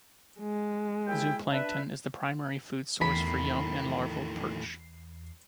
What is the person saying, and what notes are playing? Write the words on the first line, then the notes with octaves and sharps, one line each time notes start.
Zooplankton is the primary food source for young and larval perch.
G#3
D#2 E4 G5
D4 B4 E5
E2 A2 D#3 B5 C7